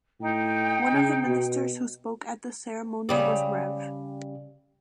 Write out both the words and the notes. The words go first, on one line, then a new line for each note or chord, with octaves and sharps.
One of the ministers who spoke at the ceremony was Rev.
A2 D#4 G5
C#3
B2
C#3 G3 D5